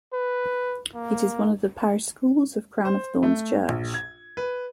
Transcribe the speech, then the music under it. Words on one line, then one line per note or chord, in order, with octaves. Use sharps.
It is one of the parish schools of Crown of Thorns' Church.
B4
A#3
C5
A3
A#1
G#6
B4